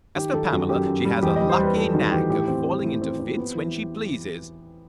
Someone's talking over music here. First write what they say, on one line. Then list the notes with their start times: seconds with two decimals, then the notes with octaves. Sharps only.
As for Pamela, she has a lucky knack of falling into fits, when she pleases.
0.16 D#3 G4
0.33 D#3 A4
0.52 F#2 F#4
0.69 F#2 G4
0.87 F#2
1.05 G3
1.23 E2 G4
1.36 G3 D#5
1.50 C5
1.59 G3 B4
1.76 G3 A4
1.94 D#3 F#4
2.12 E2 G4
2.30 A2 G4
2.48 C4
2.65 C4
2.83 A2
3.02 C4
3.19 C4
3.37 B3
3.55 E3